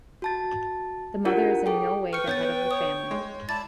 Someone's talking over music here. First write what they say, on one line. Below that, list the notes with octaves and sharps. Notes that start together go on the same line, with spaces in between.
The mother is in no way the head of the family.
F#4 A5 A6
D4 E4 F4 G4 A#4 F#5
G#4 A4 G5
B4 G5 C#6 F6 C#7
B3 C#5 G6 A6
C#5 D#6
G#3
E4 D5 A5 A6